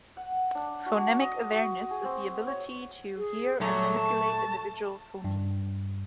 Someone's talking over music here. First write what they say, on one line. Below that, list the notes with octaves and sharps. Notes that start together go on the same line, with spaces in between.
Phonemic awareness is the ability to hear and manipulate individual phonemes.
F#5
D4
F#4
D#5
F#4
G#4
C4
C#5
G#4
A#2 F#3 A3 A#5 C#6
A5
G2